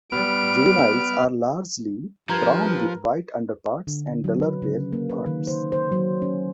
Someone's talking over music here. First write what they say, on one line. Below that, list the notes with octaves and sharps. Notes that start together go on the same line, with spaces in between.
Juveniles are largely brown with white underparts and duller bare parts.
G3 B3 F6 D7
G2 F3 A#4 B4 A#5 G#6
D3
F#3
B4
C#3
A#3
B4
D#3
C5
C5
F#3
C#4